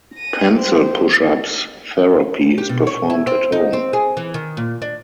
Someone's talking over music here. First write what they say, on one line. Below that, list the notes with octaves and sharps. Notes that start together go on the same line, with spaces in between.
Pencil push-ups therapy is performed at home.
A#6 D#7
G4 C5
G4
B2
C#5
E4
C4
D#4
C4
G#4
E3
D#3
A#2
D4